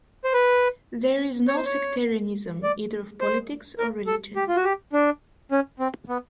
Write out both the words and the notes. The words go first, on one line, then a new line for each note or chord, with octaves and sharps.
There is no sectarianism, either of politics or religion.
C5
B4
C#5
C5
C#5
D5
C5
A#4
A4
G4
F4
F#4
G4
D4
C#4
C4
B3